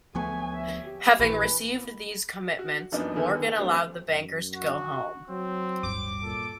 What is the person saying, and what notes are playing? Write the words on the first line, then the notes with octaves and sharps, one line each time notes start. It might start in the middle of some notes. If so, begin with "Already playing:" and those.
Having received these commitments, Morgan allowed the bankers to go home.
D2 F3 A3 B3 G#4 C#5 G#5
E5 G#5
G4
A#1 E3 B4
F#4
F#2 F3 A#3 B3 D4 D#4
D3 D#3 B3 G#4 A4
A3 F7
F#3 A3 C4 D4
F#2
F#4
F#3 C4
D1 G1 G2 D6
A#2 A4